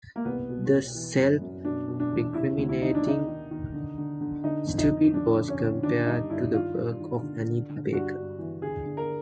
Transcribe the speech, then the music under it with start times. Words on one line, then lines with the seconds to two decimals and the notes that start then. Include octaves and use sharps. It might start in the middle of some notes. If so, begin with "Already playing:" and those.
The self-recriminating "Stupid" was compared to the work of Anita Baker.
0.16 A#3
0.25 C2 B3
0.49 B2
0.72 B2
0.95 E3
1.18 F#2
1.41 F#2
1.65 B2 D4
1.88 B2
2.00 D4
2.11 E2
2.34 C3 E4
2.57 D2
2.69 E4
2.81 D#3 D#4
2.95 D4
3.04 D#3 D#4
3.28 D#3
3.51 D#3
3.74 D3
3.98 D3
4.21 D3
4.44 D3 D#4
4.67 F2
4.78 D#4
4.91 D3
5.13 F2 D4
5.37 D3
5.49 C#4
5.60 D3
5.83 D#3 D4
6.06 G2 D#4
6.30 G2 E4
6.53 D#3 F4
6.76 G2
7.00 D#3
7.22 D3
7.46 D3
7.69 D3
7.92 G2 F#4
8.16 G2
8.38 E3
8.62 D3 G#4
8.85 D3
8.97 A#4